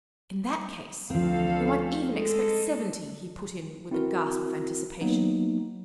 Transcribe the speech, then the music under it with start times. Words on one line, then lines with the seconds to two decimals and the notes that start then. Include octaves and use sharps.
'In that case, we might even expect seventy,' he put in with a gasp of anticipation.
1.10 D2 F3 C4 A4 F5
2.09 G#3 A3 A4
3.91 C4 E4 F#4 A#4
5.01 F#3 A#3 B3 D#4